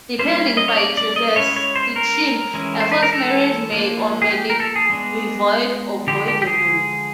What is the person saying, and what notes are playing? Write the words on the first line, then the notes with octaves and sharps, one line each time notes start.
Depending by jurisdiction, a forced marriage may or may not be void or voidable.
G3 A#3 C#4 E4 C5
D#5
C#5
D5
D5
D#5
G#3 C#4 E4 C#5
C#5
C5
A#4
E3 G#3 C#4 E4
C5
B4
A#4
A4
F3 A#3 D4
G#4
G4
A#4
A4
G#4
G#3 B3 D4
D3 F3 G#3 G4
G4
G4
G#4